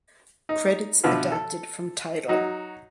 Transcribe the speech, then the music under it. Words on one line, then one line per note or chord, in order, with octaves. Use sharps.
Credits adapted from "Tidal".
D#4
B2 D3 F3 B3 E4 F4
A4
F#3 D#4 F#4